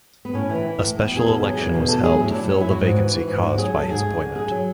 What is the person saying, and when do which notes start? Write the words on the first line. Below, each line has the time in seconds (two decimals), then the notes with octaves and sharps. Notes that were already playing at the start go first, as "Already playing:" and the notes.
A special election was held to fill the vacancy caused by his appointment.
0.25 B3
0.34 A2 C#4
0.49 E3
0.55 E4
0.65 E3
0.81 A2
0.96 E2
1.11 B2
1.17 G#4
1.26 E2 A4
1.42 F#3 G#4
1.58 E2
1.74 B2
1.88 E2 A4
2.04 F#3 G#4
2.19 A2 E4
2.30 D4
2.35 F#3
2.50 F#3 C#4
2.61 E4
2.66 A2 F#4
2.81 G#2
2.97 E3
3.13 E3
3.28 G#2
3.42 G#2 F#4
3.55 F#4
3.58 F#3 G#4
3.73 F#3 A4
3.89 G#2 G#4
4.04 F#2
4.21 D3
4.35 F#2 G#4
4.51 F#3